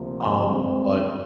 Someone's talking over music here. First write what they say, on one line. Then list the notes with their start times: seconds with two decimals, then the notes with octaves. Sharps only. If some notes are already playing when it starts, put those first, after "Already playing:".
um, but
Already playing: D2 C3 F3 A#3
0.44 G2 D3 G#3 C4